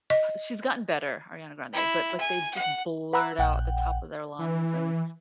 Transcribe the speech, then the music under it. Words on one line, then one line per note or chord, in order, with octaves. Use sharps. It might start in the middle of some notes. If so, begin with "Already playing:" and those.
she's gotten better, Ariana Grande, but, like, they just blurt out the top of their lungs and
D#5
E4
G#5
F#5
B4 F#5 A#5 B5 E6 F#6
A#1 F#5 G5
E3